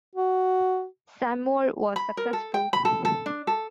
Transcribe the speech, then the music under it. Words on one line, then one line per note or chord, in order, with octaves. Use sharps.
Seymour was successful.
F#4
B5
A#4
A4
G5
B5
A4
A4
D4
A4